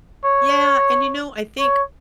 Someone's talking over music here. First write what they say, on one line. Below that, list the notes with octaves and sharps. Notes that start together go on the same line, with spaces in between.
Yeah, and, you know, I think,
C#5
C#5